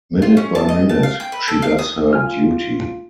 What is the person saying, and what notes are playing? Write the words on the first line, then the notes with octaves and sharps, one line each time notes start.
Minute by minute she does her duty.
F4
C#4
A5
D#5
A5
F5
G5
B4
A4
F5
D#6
F4 G#5 F6